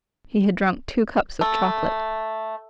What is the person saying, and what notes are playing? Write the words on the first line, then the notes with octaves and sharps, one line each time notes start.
He had drunk two cups of chocolate.
A3